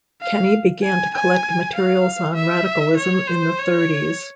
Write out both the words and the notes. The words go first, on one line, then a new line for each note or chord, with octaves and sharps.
Kenny began to collect materials on radicalism in the thirties.
F5
G#5
G#5
F5
E5
C#5
C5
C#5